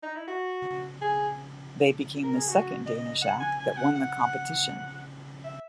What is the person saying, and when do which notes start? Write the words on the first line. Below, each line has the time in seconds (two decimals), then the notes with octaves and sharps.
They became the second Danish act that won the competition.
0.03 D#4
0.16 E4
0.28 F#4
1.01 G#4
2.24 A#4
2.37 G#4
2.48 F#4
2.86 D#5
3.22 F#5
3.40 G#5
3.59 G#5
3.72 G#5
3.77 F#5
3.96 F#5
5.44 E5